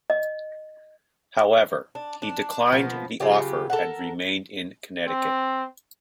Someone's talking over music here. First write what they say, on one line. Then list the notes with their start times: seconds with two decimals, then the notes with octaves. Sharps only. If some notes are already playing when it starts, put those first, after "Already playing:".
However, he declined the offer and remained in Connecticut.
0.10 D#5
1.95 D4
2.22 D4
2.72 B2 F3 A#3 B3
3.20 C#3 F#3 F4 G4
3.70 A4 A#4 F#5
5.07 C4